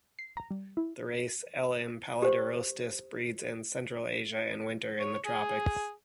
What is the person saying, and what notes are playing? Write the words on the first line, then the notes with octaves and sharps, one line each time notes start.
The race "L. m. pallidirostis" breeds in central Asia and winters in the tropics.
C7
A#5
G3
E4
G4 C5
C#5
G#4